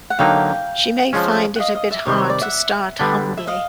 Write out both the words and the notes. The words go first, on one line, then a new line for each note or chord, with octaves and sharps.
She may find it a bit hard to start humbly.
F#5
D3 F#3 A#3 D#4 F5 G5
F3 G#3 C#4
F#5
D#5 F5
D#5 F5
D5 E5
C3 D#3 G3 C4 C#5 D#5
C#5
D5
E5 F#5
D3 G3 B3 D4
E5
D#5 F5